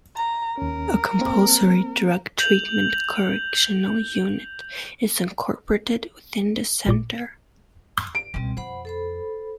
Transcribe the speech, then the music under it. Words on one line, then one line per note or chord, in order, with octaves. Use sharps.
A Compulsory Drug Treatment Correctional unit is incorporated within the Centre.
A#5
D#2 C#4 A#4
A#3 C4
G6 F7 F#7
A1 A#2 D6
D7
C#2 B2 G3 C4
F2 C5 F#5 B5
A4 C5 B5